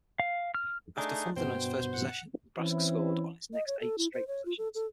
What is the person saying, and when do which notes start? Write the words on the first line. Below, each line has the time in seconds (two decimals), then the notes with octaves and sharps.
After fumbling on its first possession, Nebraska scored on its next eight straight possessions.
0.20 F5
0.55 F6
0.97 A3 D4 D#4 G#4
1.36 G2 B2 B3 C5 G5
1.93 F#5
2.59 E3 C4 C#4 E4
3.53 D#5
3.67 C#5
3.80 A4
3.98 E4
4.13 C5
4.27 C#5
4.45 F4
4.58 A4
4.75 A4